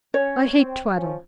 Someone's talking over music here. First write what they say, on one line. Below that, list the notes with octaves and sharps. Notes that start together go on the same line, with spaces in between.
I hate twaddle.
C#4 C#5
C4
F3 C#4